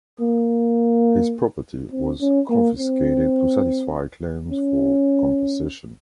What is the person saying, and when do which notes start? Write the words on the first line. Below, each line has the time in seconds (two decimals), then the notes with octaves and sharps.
His property was confiscated to satisfy claims for compensation.
0.21 A#3
1.92 C4
2.21 C#4
2.50 A#3
2.79 C4
4.51 C#4